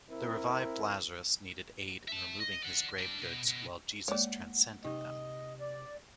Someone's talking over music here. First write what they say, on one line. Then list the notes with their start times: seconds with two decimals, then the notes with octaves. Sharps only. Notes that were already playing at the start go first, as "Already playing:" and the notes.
The revived Lazarus needed aid in removing his grave goods while Jesus transcended them.
0.10 C4 E4 A#4
2.08 E5 A5
2.40 D#5
2.63 D5 F#5
2.98 G3 D4
3.22 B2
3.48 B2
4.08 G#3 A#3 C#5 D5 F#5
4.85 C3 D#4 D#5
5.60 D5